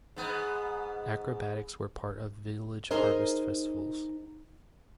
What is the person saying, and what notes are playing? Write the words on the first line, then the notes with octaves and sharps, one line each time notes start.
Acrobatics were part of village harvest festivals.
G#2 B3
D#4 G#4 A#4 C5 D#5